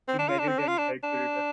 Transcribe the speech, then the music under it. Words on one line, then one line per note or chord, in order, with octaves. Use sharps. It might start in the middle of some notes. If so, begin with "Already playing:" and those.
He married and had children.
C4
D4
F4
D4
C4
D4
F4
D4
D4